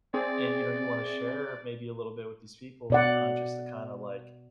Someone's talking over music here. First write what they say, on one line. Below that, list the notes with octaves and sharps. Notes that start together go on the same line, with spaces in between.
and you know, you wanna share maybe a little bit with these people, uh, just to kinda like,
C4 G#4 D5
B2 D5 F#5